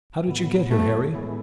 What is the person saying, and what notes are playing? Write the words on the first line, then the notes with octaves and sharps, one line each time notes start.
How did you get here, Harry?
A2 F#3 B3
A3
A2 G#3 B3 E4